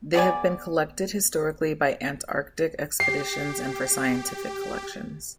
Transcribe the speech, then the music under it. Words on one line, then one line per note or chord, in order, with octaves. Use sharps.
They have been collected historically by Antarctic expeditions and for scientific collections.
B3 G#4 D5 G#5
G4 C7